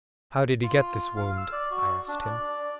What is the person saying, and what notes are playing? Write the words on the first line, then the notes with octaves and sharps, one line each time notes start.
"How did he get this wound?" I asked him.
F4
F5
E6
D5
F#4
D4
D5